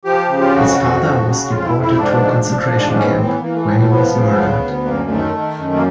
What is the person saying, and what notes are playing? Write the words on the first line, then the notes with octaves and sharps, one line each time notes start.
His father was deported to a concentration camp, where he was murdered.
F3 G4
C#3
F4
F2 F#4
F2
F3
C#3
F2 F4
E4
F2
E4
G#2 D4
F3
F3
G#2
C4
A2 C#4
B3
C4
E3
B3
E3 A#3
A3
A2 A3
A3
F3 B3
C#3
D2
D2
F#2 A#3
D#3 A3
D#3
F#2
A#3